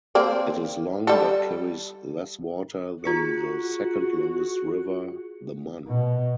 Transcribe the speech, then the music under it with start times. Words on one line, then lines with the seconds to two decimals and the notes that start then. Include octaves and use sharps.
It is long but carries less water than the second longest river, the Mun.
0.15 A#3 C4 D5
1.07 G3 A4
3.04 F4 F#4 G#4 C#7
5.87 B2